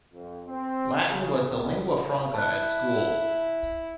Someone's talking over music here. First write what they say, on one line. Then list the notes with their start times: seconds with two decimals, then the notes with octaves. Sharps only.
Latin was the lingua franca at school.
0.13 F2
0.46 C4
1.08 C#3
1.48 C#2
2.34 E4 A5 F#6